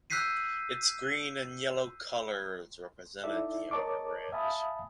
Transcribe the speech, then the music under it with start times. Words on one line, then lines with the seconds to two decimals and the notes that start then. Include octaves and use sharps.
Its green and yellow colors represented the armor branch.
0.10 E6 F#6 G6 B6 C7 D#7
3.24 D#4 E4 A4 D5 E5
3.71 A#4 C#5 D#5 A5 C#6 D6
4.32 E5 F5 G#5 A5 B5 D#6